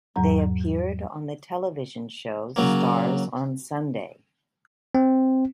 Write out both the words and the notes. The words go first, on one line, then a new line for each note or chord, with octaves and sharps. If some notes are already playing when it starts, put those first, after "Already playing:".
They appeared on the television show "Stars on Sunday".
E2 G#2 F#3 A#5
C#3 F#3 A#3
C4